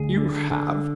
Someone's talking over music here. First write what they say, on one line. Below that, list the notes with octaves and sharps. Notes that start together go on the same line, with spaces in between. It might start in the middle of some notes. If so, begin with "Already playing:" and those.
"You have?"
Already playing: D2 G#4
D3
D3